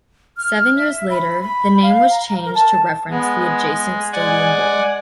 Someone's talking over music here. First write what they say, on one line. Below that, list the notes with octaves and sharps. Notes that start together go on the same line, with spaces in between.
Seven years later, the name was changed to reference the adjacent Stadium Bowl.
F6
E5
B5
B5
F5
A#5
A#4
A5
G#3 B3
G#3 D5 F#5 G#5